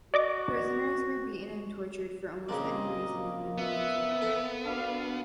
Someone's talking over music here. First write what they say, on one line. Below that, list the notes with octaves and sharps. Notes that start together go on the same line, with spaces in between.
Prisoners were beaten and tortured for almost any reason and many were killed.
F#4 D5 D#5 D6
A#2 C#3 A#3 C4 D4 D#5
B3 E5
A4
D4 F#4 F5